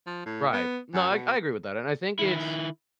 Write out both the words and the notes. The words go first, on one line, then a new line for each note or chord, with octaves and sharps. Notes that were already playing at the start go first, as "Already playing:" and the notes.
Right. No, I I agree with that, and I think it's
F3
A2
B3
F#2
B2
D#3 E4